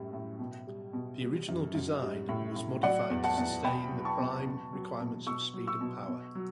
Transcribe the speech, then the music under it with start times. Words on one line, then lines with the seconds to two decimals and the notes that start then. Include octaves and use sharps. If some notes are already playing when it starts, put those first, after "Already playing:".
The original design was modified to sustain the prime requirements of speed and firepower.
Already playing: F#2 A2 G3
0.13 A2
0.39 B2
0.67 G3
0.93 B2
1.21 G3
1.48 F#2
1.75 F#2
2.02 G3
2.29 A2
2.56 A2
2.83 F#3 D5 F#5
3.10 E2
3.24 F#5 A5
3.37 E2
3.64 B2 G5 B5
3.92 F#3
4.05 A5 C#6
4.19 B2
4.45 B2
4.73 F#3
5.00 B2
5.27 B2 C#6 E6
5.54 F#3
5.67 C#6 E6
5.81 B2
6.08 B2
6.35 F#3